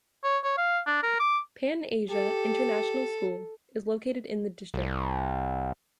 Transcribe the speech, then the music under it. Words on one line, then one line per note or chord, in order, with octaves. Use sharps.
Pan-Asia International School is located in the district.
C#5
C#5
F5
D4
A#4
D6
G4 A4
C2